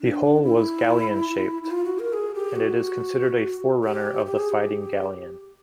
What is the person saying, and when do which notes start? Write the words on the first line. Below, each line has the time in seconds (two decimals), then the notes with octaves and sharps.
The hull was galleon-shaped, and it is considered a forerunner of the fighting galleon.
0.01 D4
0.43 E4
1.64 E4
1.71 F4
1.85 F#4
1.99 A#4
2.13 G#4
2.35 G4
2.56 F#4
3.84 G4
4.26 G4
4.39 G#4
4.52 G4